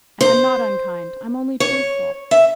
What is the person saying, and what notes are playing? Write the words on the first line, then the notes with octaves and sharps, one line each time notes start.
'And I'm not unkind, I'm only truthful.
C5
C#5
E5